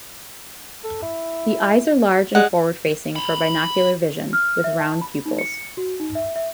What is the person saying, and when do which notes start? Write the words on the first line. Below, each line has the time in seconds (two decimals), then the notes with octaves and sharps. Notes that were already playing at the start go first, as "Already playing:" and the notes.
The eyes are large and forward facing for binocular vision, with round pupils.
0.84 A4
1.02 E4
2.35 G3 G#3 F#5
3.16 B5 C6
4.33 F6
4.64 E5
4.80 A5
5.01 B5
5.26 D#4
5.39 C#7
5.77 F#4
6.00 D#4
6.15 E5
6.36 E5